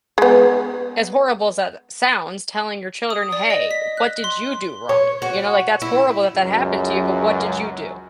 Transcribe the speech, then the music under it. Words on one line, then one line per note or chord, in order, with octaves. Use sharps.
as horrible as that a sounds, telling your children, "Hey, what did you do wrong," you know, like, "That's horrible that that happened to you, but what did you do?"
G#3 B3
D#6
D5
D#5
B6
F#6
C6
C#5
F#4
E4
C#2 F#2